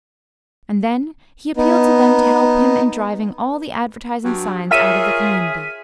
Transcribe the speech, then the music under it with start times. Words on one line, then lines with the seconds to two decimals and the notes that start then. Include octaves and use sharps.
And then he appealed to them to help him in driving all the advertising signs out of the community.
1.57 B3 D#4
4.24 G2 F#3
4.71 F4 G#4 A#4 C#5 E5 F6 B6 D#7